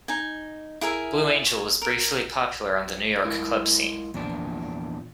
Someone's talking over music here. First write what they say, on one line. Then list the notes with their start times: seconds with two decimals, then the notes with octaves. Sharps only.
Blue Angel was briefly popular on the New York club scene.
0.08 D#4 G#5
0.81 E4 G#4 A#4 E5
1.46 C#5
1.82 A#4
3.25 G#3 E4 F4 A#4
4.14 E2 A#2 F3 D4